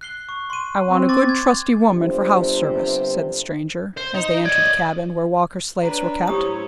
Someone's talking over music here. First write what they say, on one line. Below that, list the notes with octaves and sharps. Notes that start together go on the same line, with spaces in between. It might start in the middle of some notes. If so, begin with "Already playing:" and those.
"I want a good, trusty woman for house service," said the stranger, as they entered the cabin where Walker's slaves were kept.
F#6 C7 G7
C#6
C6 D#7
C4
C6 D6 A6
G#6
G1 C3 G3 C5
C5
D#4
D5 D#5 G#6
C#4 D4 B4 A#5
A2 C#4 E4 G4 C5 C#5 D#6